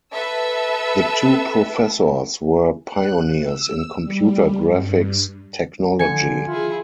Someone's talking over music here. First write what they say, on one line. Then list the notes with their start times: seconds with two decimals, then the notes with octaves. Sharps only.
The two professors were pioneers in computer graphics technology.
0.13 A4 B4 E5 E6
2.84 F#6
3.43 E6
4.03 G3
4.66 G2
5.99 D3 D#3 F3 G#5 C#7
6.48 E4 F4 G#4